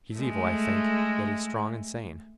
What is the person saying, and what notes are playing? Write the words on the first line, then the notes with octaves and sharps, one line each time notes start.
"He's evil, I think, yet he's strong and sane."
G#3 A3